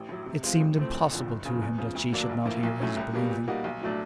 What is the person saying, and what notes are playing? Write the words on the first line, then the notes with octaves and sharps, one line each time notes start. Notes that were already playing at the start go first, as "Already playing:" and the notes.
It seemed impossible to him that she should not hear his breathing.
Already playing: A1
A2 F#3
C3
F3 G#3 C4 F4
A1
A2 F3 A3 C4
F#1
F2 D3 F3
F#1
E2 C#3 F3
E2
C#3 F3
D2
D3 F#3 A#3 D4
A#1
A2 F3 A#3
B1
A2 F#3 A3 C#4
C2
B2 G3 A#3
A#2
G3 A#3 D#4 F#4
B1
A2 F#3 A3 D4